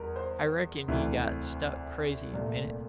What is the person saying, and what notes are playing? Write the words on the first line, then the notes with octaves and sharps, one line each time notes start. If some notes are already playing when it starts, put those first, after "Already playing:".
I reckon he got struck crazy a minute.
Already playing: E2 G3 A#4
C5
D2 C3 E3
C2 A#2 A3